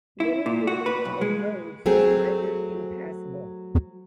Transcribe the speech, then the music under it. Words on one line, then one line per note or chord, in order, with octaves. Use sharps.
Many buildings and roads were rendered impassable.
E4
A#2
F#4
B4
B1
G#3
F#3 A3 C4 G#4